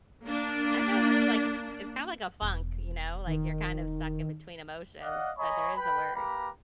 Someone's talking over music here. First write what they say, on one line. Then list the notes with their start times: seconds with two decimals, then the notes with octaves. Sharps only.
I don't know if it's like it's kinda like a funk, you know? Like, you're kind of stuck in between emotions, but there is a word.
0.23 A#3 D4
2.42 E1
3.26 D#3
5.02 D5 D#5 F5 F#5
5.38 C#5 D#5 G#5 A#5 B5 C#6
5.77 B4 G5 B5
6.16 A#3 G4 B4 A#5 B5